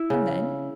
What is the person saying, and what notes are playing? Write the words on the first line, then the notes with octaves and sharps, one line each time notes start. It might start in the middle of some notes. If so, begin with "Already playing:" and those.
"And then?"
Already playing: E4
C#3